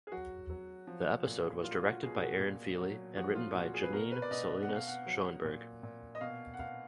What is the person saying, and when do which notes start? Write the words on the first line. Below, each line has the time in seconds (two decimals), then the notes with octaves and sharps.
The episode was directed by Erin Feeley and written by Janine Salinas Schoenberg.
0.07 G#4
0.12 F#3 F#4
0.50 F#3
0.87 F3
1.26 A#2
1.64 F#3 F4
1.79 F4
1.83 F#4
2.03 B2 G#4
2.21 F#4
2.40 A#2
2.79 F#3
3.17 F3 F#4
3.35 F4
3.55 A#2 F#4
3.74 G#4
3.83 B4
3.92 B2 A#4
4.12 B4
4.22 D5
4.31 B2 D#5
4.62 F#5
4.69 B2
4.75 F5
4.87 F#5
5.06 F#3
5.45 A#2
5.83 A#2
6.15 D#5
6.21 B2 F5
6.54 F#5
6.59 B2 F5